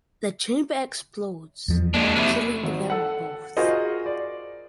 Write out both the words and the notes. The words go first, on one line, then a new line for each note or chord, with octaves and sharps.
The chamber explodes, killing them both.
E2 F3
G#3 A#3 D4
C3 E4
G#1
A4 F#5
F4 F#4 G#4 A#4 C5 D#5
D5